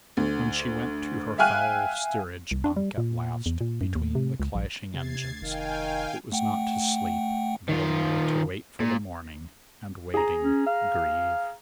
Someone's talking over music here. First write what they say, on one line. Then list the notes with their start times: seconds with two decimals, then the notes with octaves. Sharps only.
When she went to her foul steerage bunk at last, between the clashing engines, it was not to sleep, but only to wait for the morning, and, waiting, grieve.
0.17 D2
1.38 E5 F5 G5 G#5 F6 F#6
2.51 C2
2.64 D4
2.76 G3
2.98 A#2
3.46 E2
3.61 A#2
3.81 F#2
3.95 D#2
4.15 C3
4.40 C#2
4.55 A#1
4.94 C3 G#6 A6 C7
5.42 F1 D#3 F5 G5 G#5
6.32 A3 F#5 G5
7.69 D#3 F4
8.80 A#2
10.14 G#4 A#5
10.43 C#4
10.66 F5